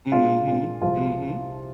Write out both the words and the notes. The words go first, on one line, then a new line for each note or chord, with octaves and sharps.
Mhm. Mhm.
A#2 G#3 D4 F4
A#2 G#3 D4
C2 C3 F3 G#3 F4